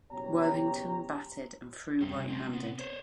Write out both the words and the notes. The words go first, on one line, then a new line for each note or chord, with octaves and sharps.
Worthington batted and threw right-handed.
F#1 B2 G4 C#5 A#5
F2 F#3 G3 C4
C3 C#4
G#3 C4
B3 C4
C5 C#5